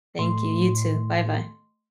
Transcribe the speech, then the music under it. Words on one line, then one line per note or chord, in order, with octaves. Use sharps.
Thank you, you too. Bye-bye.
A2 A3 C6